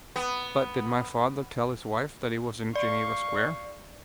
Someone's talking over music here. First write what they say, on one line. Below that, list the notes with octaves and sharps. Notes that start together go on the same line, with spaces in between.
"But did my father tell his wife that he was in Geneva Square?"
B3
D5 F5 C#6